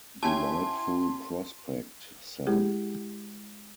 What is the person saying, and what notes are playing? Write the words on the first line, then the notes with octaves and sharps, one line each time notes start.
Delightful prospect, Sam.
C#4 E4 G4 G#5 A5 C6
G#3 E4 G4 G#4